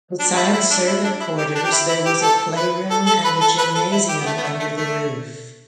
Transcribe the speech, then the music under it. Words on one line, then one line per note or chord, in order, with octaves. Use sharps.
Beside servant quarters, there was a playroom and a gymnasium under the roof.
D4
E4
E4
D4
E4
D4
E4
G4
D4
G4
E4
E4
G4
A4
B4
A4
A4
B4
A4
B4
A4
E4
G4
B3
A3
B3
A3
A3
A3